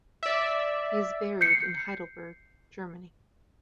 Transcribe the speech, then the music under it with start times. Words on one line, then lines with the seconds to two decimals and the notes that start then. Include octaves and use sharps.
He is buried in Heidelberg, Germany.
0.23 D5 E5
1.41 G6 C7 C#7